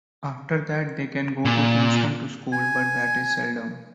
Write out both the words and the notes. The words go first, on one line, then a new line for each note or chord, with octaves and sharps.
After that, they can go to Kingston to school, but that is seldom.
A#2
G#5